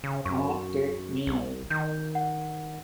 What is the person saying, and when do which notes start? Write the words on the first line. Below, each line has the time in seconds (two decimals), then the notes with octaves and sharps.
Noh Tek Mi!
0.04 C#3
0.25 F#2 C#6
1.26 C2
1.70 D#3 G6
2.15 F#5